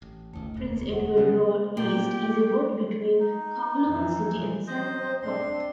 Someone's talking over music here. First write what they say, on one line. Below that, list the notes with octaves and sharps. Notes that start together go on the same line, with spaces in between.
Prince Edward Road East is a road between Kowloon City and San Po Kong.
A1
F#1 C#2 D#3 A3
E1 D2
F#5
C#3 G3 B3
A#2 A#3 G4 G5
D#4
F2 E3
F#3 C5 D#5
C4 D4 C6